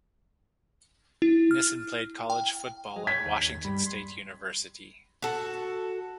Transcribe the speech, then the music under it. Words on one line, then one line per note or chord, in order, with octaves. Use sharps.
Nissen played college football at Washington State University.
E4
F6
G5
F#3 G#4 D#5
C#5 G5 G#6 B6
D#2
G2 G3 B5
C6
F#4 A4